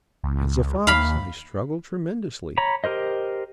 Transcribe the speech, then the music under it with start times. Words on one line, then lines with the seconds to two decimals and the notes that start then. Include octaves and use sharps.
As a fox, I struggled tremendously.
0.24 C#2
0.87 D#2 F5 B5
2.58 C#5 A#5 B5
2.84 G4 A#4 C5 D#5